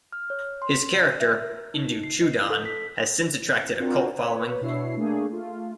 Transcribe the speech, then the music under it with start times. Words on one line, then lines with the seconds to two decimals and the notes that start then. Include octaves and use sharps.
His character Induchoodan has since attracted a cult following.
0.12 F6
0.30 C#5
0.62 C6
1.03 D5
1.20 E5
1.42 A#4
1.74 D#4
2.03 C7
2.22 D#5
2.50 A4
2.65 B6
3.79 C4 D4 F4 F#4 A#4 D5
4.16 B4 C#5
4.61 B2 D4 E4 C#5 C7
4.97 A3 A#3 D4 G#4
5.30 A3 F4